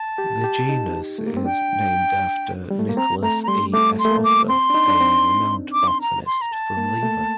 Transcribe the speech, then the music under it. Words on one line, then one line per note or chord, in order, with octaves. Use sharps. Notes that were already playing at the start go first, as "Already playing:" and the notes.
The genus is named after Nicolas E. Esposto, a renowned botanist from Lima.
Already playing: A5
G4
G4
D#4
A3
A#3
C4
D4 G5
G3
A3
A#3
C4 A#5
A3 A#5
A#5
G3 C6
A3 D6
C6
A3
A#3
D6
C4 C6
D4
D#4
D4
C4
D6
C6
A#5
C6
A#5
A5
A#3
A3